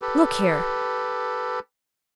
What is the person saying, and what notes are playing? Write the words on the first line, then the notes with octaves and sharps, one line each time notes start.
"Look here!"
G4 A4 B4